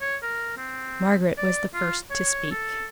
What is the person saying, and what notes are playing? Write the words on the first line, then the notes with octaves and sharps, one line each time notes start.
Margaret was the first to speak.
C#5
A#4
C4
D5
F4
C#5
A4